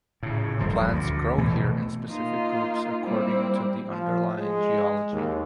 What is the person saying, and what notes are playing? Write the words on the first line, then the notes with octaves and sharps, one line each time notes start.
Plants grow here in specific groups according to the underlying geology.
A2 C#3
D#1 G2 F3
D2
B2 E3 A3
A#3 D#4 F4
G3 A#3 C4 E4
F3
G#3
D#2